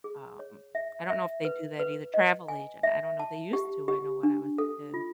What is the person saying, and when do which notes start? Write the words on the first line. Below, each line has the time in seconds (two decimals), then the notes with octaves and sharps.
um I don't know if they do that either travel agent, I don't know. They used to, I know, when I was a kid.
0.04 G#4
0.39 C#5
0.75 E5
1.10 E5
1.45 B4
1.79 B4
2.14 D#5
2.48 G#5
2.83 E5
3.20 A5
3.53 G4
3.88 G4
4.23 D4
4.58 A4
4.94 F4